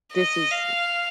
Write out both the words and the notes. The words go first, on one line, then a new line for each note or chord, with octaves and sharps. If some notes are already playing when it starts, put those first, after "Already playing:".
this is
D#5
F5